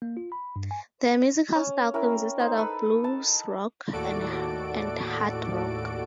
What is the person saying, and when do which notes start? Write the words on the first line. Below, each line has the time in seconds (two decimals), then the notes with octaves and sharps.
Their musical style consisted of blues rock, and hard rock.
0.02 A#3
0.17 F4
0.32 B5
0.56 G2
0.71 G#5
1.55 C#4
1.94 C#4 E4 A#4 G5
2.40 D#4 C5
2.58 A4 B4 B5
3.04 A5
3.92 D#2 A2 F#4 A4 D5 D7